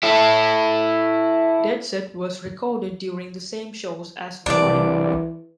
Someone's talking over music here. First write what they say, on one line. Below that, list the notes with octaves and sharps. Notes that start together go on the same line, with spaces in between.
"Dead Set" was recorded during the same shows as "Reckoning".
E4 A4
C2 E3 D4 D5